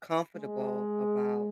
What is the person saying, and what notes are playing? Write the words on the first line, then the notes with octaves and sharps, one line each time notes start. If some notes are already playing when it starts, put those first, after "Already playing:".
comfortable about,
G#3